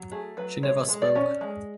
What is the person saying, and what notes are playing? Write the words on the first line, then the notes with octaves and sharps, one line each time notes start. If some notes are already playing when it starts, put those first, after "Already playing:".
She never spoke.
Already playing: F#3
A3 G#4
F#3 B4
G#3 C#5
G#3
D5
C#4
G#3